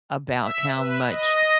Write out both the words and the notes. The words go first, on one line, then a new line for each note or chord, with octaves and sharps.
about how much
E5
B4
D#5